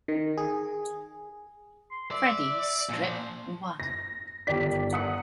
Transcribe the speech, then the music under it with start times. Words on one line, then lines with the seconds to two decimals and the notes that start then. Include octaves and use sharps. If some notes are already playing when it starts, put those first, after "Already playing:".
Freddie's strip won.
0.08 D#3
0.37 G#4
1.91 C6
2.11 D5 E5
2.89 A#2 F3
3.80 A#6
4.47 G1 D#3 G4 D5 B6
4.93 F#5 D#6 C#7